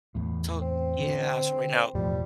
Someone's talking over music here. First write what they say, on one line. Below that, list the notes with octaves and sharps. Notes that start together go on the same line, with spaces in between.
So, yeah. So right now,
E2 A2
C4
D3
E1 A2 F3 G3